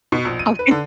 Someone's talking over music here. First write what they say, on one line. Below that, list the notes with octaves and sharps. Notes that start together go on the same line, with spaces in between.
I went
B2
A#1
D#7
B4
D3